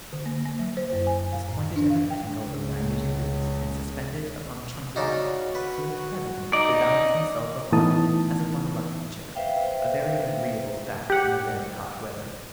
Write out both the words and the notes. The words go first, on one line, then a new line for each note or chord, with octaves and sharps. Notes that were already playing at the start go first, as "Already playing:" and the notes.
It was pointed at an angle of ninety degrees, and suspended upon truncheons, so that the president could balance himself upon it as upon a rocking-chair, a very agreeable fact in the very hot weather.
D3
A#3
A#3
F#3
C5
F#2
G#5
F5
A2
D4
F5
G5
C#2 C#3
C#3 D4 D#4 F#4
B4
D#4 D5
A2 E3 B3 D#4 A5 D#6
B4 C5 E5 F5 G5
G4 F#5